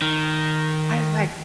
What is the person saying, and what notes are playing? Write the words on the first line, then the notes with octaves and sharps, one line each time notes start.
I was like
D#3